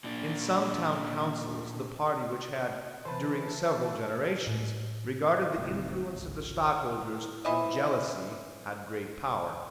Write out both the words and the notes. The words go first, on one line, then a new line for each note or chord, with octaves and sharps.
In some town councils the party which had, during several generations, regarded the influence of the Stadtholders with jealousy had great power.
A#2 D4
E3 B4 C5 A5
A2
D1 D2 G#2 C3
G#1 C#2
E4
E3 C4 D#5